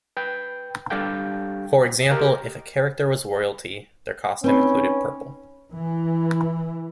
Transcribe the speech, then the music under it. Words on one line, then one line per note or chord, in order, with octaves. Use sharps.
For example, if a character was royalty, their costume included purple.
B4 G5
G3 D4 G4 A4 F5 G5
G4 A#4 D#5
C4 C#4 D#4 B4 B5
E3